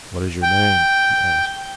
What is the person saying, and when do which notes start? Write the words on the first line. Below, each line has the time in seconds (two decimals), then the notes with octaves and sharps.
"What is your name?" he asked.
0.43 G5